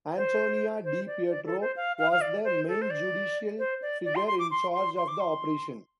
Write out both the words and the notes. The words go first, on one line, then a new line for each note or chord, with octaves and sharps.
Antonio Di Pietro was the main judicial figure in charge of the operation.
C5
C5
D5
D5
A4
C5
F5
F5
F5
D5
C5
A4
C5
D5
C5
D5
D5
C6
C6
D6
C6
C6
C6
D6
C6